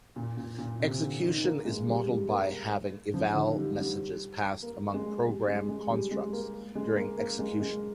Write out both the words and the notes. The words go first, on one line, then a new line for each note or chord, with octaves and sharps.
Execution is modeled by having Eval messages passed among program constructs during execution.
A#2
A#2
A#2
C3
D3
D#3
A#3
G#3
G3
G3
A#3
F3
D3
D#3
G3
G3
A#3
G#3
G3
G#3
G#3
G3
G#3
A#3
G#3
A#3
A#3
G#3
G#3